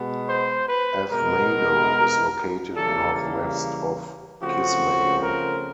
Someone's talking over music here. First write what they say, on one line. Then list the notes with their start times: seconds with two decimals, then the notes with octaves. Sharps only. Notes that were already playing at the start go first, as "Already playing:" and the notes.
Afmadow is located northwest of Kismayo.
Already playing: B2 G#3 B3
0.27 C5
0.68 B4
1.10 B2 G#3 B3 A#4
2.75 C#3 E3 G3 A#3 A4
4.40 C#3 F3 A3 C4 F#4
5.23 A#4